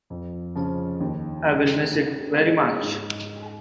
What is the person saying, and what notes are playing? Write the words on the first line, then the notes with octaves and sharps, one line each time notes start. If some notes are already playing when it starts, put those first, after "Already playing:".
I will miss it very much.
F2
C#3 F3
D#2
D#3 G#3
C#3
G#3 D#4 G#4 C#5
G#2